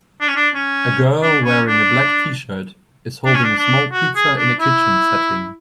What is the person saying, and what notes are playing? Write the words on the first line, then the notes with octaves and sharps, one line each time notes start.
A girl wearing a black tshirt is holding a small pizza in a kitchen setting.
D4
C#4
D4
C#4
D4
C#4
D4
D4
C#4
D4
D4
F#4
G#4
D4
E4